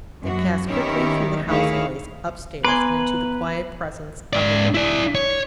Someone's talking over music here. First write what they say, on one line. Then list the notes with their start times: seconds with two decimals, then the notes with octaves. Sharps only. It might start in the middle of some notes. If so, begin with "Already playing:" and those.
They passed quickly through the house-place, upstairs, and into the quiet presence of the dead.
0.22 F#2 F#4
0.67 D#3 C#4 E4 G4 A#4 C#5
1.47 D2 D#3 E4 G#4 C#5 F5
2.65 B3 B4 G#5 A#5 C6 D6
4.33 G#2 D5
4.74 E4 D5
5.15 C#5